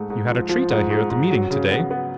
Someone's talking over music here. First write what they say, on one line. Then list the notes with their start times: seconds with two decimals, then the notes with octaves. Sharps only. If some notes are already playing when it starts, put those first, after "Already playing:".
"You had a treat, I hear, at the meeting to-day?"
Already playing: G#2 A3
0.10 G#2
0.29 F3
0.49 F3
0.71 G#2
0.90 G#2
1.10 G#2
1.30 F#3
1.51 C#3
1.71 B3
1.91 B3